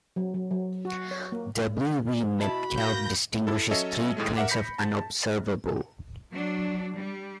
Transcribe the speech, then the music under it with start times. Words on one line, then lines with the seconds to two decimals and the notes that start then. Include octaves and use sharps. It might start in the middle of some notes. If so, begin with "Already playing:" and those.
W. V. Metcalf distinguishes three kinds of unobservables.
0.16 F#3
0.34 F#3
0.51 F#3
0.85 F#4
1.11 C#5
1.32 A#3
2.41 B2 E4 F#4 A5 B5
2.78 A#3 B4 G6 A#6
3.47 E4 A4
3.71 F#3 C#4 A4 C#5 D#5 E5
4.17 D#2 A2 G#3 A3
4.36 A#4 E5 F#5 D6
4.48 B5 G6 A#6 B6 C#7
4.78 A5
6.32 F#3 D4
6.95 G3